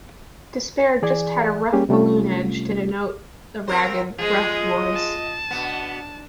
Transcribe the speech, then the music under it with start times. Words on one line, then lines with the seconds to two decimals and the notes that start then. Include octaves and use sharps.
Despair just had a rough balloon edge to denote a ragged, rough voice.
1.02 E3 G#4 D5 G#5
1.73 G3 A#3 C#4 G4 G#4
1.89 C3 G3 A3 C#4 F4
3.67 C4 A#4 C5
4.18 F3 G#3 F4 G#4 D#5
4.93 A5
5.51 B2 B3 D4